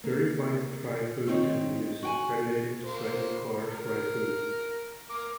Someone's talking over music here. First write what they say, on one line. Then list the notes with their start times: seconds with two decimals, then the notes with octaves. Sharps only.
Very fine fry food can be used, graduating to slightly coarse fry food.
0.04 A#3
1.27 D#3 C4 D#4 C#5
2.03 F#4 G5 G#5
2.85 A#3 C5
3.69 A#4
5.10 A#4 D6